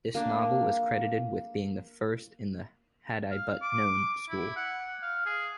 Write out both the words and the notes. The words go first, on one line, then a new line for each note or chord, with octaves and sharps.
This novel is credited with being the first in the "Had-I-But-Known" school.
A#3 D4
F5
D6
E4
F#5
F5
G#4